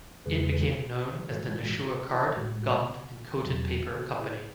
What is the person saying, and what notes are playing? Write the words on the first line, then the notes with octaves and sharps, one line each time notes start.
It became known as the Nashua Card, Gummed and Coated Paper Company.
E2 C#3 E3 G#3 G#4 B4
G#2 E3 G#3 F#4 A4
E4 G#4
F#4
F#4
E4
A2 G#3 F#4
F#4
E2 B2 F#3
F#4 A4
E4 G#4